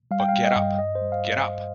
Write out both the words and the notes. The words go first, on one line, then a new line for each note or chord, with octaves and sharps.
But get up, get up!
G3 F5
G5
F5
G3
D#5
G2
G2 D#5
C5
G3
F5